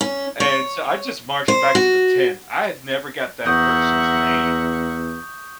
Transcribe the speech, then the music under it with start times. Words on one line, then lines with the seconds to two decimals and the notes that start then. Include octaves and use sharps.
And, so, I just marched back to the tent, I had never got that person's name.
0.01 C#4
0.40 C#5
1.48 C5
1.75 F#4
3.46 E2 E5 F#5 A#5 C#6 D#6 G6